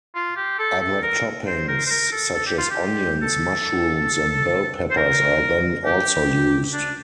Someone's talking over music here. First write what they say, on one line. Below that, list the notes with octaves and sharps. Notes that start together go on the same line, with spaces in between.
Other toppings such as onions, mushrooms and bell peppers are then also used.
F4
G4
A4
A4
A#4
C5
A#4
C5
A#4
A4
A4
G4
F4
G4
A4
C5
A#4
G4
D4